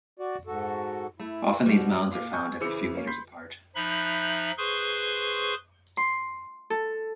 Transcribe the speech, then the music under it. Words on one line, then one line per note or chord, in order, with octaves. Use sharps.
Often these mounds are found every few metres apart.
F#4 D5
G#2 F#4 A4
A3 E4
G#2 B2 G3 F#4
A#2 F5 D6
G#5 C#6 G6
C#3 E3 C5 D6 E6 C#7
A#3 C#4
B5 C6 G6 B6 C7
F3 D#4 E5 B5 F#6 G6
G#4 B4 C5 C6 C#6
C6
A4